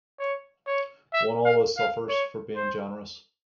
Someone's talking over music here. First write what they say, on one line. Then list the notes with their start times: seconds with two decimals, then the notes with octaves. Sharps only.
One always suffers for being generous.
0.19 C#5
0.67 C#5
1.13 E5
1.45 F5
1.78 F5
2.09 C#5
2.56 C5